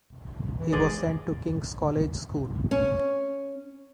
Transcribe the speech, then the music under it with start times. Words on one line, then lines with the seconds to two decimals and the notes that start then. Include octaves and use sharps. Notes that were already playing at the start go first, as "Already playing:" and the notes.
He was sent to King's College School.
0.57 E3
0.72 G1 G#3 D5 D#5
2.71 C#4